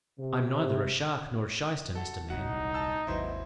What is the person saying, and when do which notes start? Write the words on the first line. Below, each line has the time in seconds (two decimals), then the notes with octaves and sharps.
I'm neither a shark nor a shyster, Mr. Man.
0.20 C3
1.95 C3 F#4 A4
2.30 D#1 C2 D#4 F#4 F#5
2.74 A5 E6
3.07 G#1 D#2 F#3 E4 B4 C5 D#5